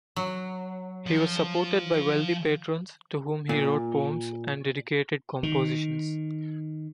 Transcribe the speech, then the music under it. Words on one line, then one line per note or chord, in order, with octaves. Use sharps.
He was supported by wealthy patrons, to whom he wrote poems and dedicated compositions.
F#3
F3
A#2
D#3